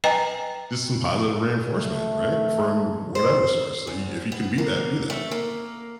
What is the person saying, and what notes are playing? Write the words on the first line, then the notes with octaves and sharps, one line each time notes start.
just some positive reinforcement, right? From whatever source, so you if you can be that, be that.
B4 D#5 G5 G#5 A#5
A3
C5
E2
B3
A#3
A3
A#3